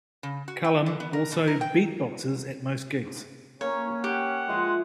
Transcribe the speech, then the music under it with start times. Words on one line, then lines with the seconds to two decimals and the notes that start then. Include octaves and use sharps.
Cullum also beatboxes at most gigs.
0.23 C#3
0.48 F#4
0.64 G5
0.86 D3
1.00 B3
1.13 A#4
1.32 B2
1.47 A#4
1.61 G5
3.61 A#3 C#4 C#5
4.04 G4 F#5
4.48 F3 G#3 E5 C6